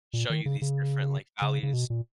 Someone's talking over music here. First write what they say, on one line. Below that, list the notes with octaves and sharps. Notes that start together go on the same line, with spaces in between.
show you these different, like, values.
A#2
D#3
C#3
C#3
C#3
C#3
B2
A#2